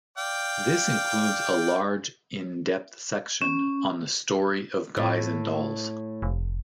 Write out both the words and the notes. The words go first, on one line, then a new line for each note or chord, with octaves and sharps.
This includes a large in depth section on the story of Guys 'n' Dolls.
D5 F5 G5
C#4
A2
F1